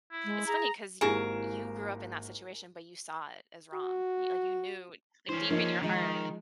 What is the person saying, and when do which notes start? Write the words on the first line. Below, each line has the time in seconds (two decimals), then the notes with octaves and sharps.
it's funny 'cause y you grew up in that situation, but you saw it as wrong, y like, you knew, like, deep in your heart.
0.11 E4
0.25 G#3
0.47 G#4 A#5
1.01 G#1 A#3 E4 G4 G#4 A#4 G#5 E7
3.74 F#4
5.29 E3 C#4 C5
5.50 F3 A#3 D#4
5.82 D#3 F3 G#3